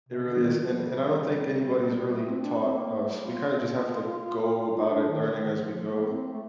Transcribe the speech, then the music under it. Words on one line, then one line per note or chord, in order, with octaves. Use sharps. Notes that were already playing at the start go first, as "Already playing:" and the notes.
It really is, and and I don't think anybody's really taught us, we kinda just have to go about it learning as we go.
C3
D3
D#3
F3
G3
G3
A3
C4
D4
C4
A#3
A3
G3
F4
F4
D#4
D4
D#3
D3
D#3
F3
A#3
C4
A3